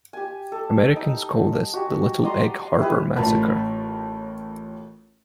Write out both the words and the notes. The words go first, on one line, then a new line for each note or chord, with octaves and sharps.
Americans call this the Little Egg Harbor massacre.
G4 G#5
A4
D#4
F#4 G4 G#5
D5 D#5 A#5 C6
E4 G4 G#4 B4
A1 A2 F4 A#4 A5 B5